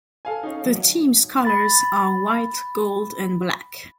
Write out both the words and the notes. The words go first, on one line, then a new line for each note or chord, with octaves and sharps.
The team's colours are white, gold and black.
A4 F5 G#5
C#4 D#4
F#3
B5 A6